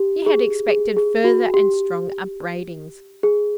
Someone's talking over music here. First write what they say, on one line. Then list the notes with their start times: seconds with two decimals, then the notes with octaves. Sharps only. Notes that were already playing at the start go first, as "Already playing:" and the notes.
He had expected further and strong upbraidings.
Already playing: G4
0.26 G#4
0.68 G#4
0.97 G#4
1.24 F#4
1.54 G4
3.23 G#4